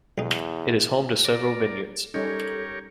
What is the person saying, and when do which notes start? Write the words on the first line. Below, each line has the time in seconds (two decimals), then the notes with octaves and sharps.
It is home to several vineyards.
0.18 B1 E2 D#4
1.25 A#4 D5
2.14 G3 C#4 D#4 G4 A4 A#4 C#5